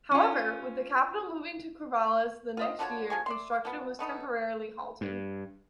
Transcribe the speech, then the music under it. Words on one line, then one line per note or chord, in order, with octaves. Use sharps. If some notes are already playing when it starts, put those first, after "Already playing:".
However, with the capital moving to Corvallis the next year, construction was temporarily halted.
C#4 F4
F4 C5 D#5
D3 F3 F#4 C#5
F3 G#5 C#6
D5 E5 C6
F3 B3
A3 B3 D#4
G2